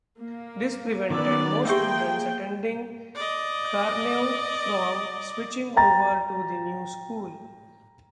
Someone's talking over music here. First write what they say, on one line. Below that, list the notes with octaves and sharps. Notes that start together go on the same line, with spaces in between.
This prevented most students attending Garneau from switching over to the new school.
A#3
D#3 B3 C#4 D5 E6
A#3 G4 G#4 E5 G5 C6 E6
D5 D#5
G5 A#5 A6